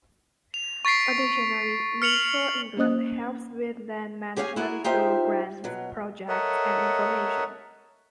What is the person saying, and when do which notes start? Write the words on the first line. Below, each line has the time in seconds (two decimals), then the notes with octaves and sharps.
Additionally Natural England helps with land management through grants, projects and information.
0.54 F7
0.85 C#6 A6 B6 C7 D7
2.02 F6 C#7 F7 F#7
2.77 A#3 C#4 C5 D#5 D#6 F#6
4.36 G4 G#4 C#5 F5 F#5 G#5
4.56 E4 F#4 G#4 A#4
4.84 D#4 F4 G4 C5 E5
5.64 B2 F#3
6.28 A4 A#4 C#5 D#5 E5 F#5